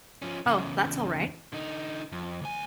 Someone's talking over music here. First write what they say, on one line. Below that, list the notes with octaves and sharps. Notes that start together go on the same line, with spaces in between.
Oh, that's all right.
F3 C#4
E2 C#3
D3 D#4
F2
D2 G#5